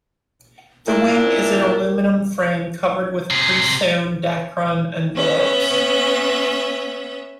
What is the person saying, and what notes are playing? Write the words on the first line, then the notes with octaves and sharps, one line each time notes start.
The wing is an aluminium frame covered with pre-sewn Dacron envelopes.
A#2 D4 E4 A#4
C3 G#4
B3 C#4 E5